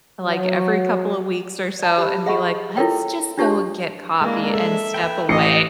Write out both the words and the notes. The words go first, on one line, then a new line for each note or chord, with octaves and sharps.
like, every couple of weeks or so and be, like, let's just go and get coffee and step away.
F#3
D5 A5
G4 C5 B5
G#4 D#5 E5 F#5 B5 C#6
E4 F4 A4 A#4 C#5 G5
D4 F4 G4 C#5 A5 C#6
G#3 A#3 D4 E4
A4 E5
B4 G5
A1 D#5 C7 C#7